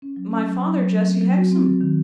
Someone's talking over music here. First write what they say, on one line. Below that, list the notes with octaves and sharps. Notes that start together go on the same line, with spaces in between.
'My father, Jesse Hexam.'
C#4
F#3
C#4
F#3
F#3
F#3
F#3
C4
F#3
F#4
C4
F#3
D#3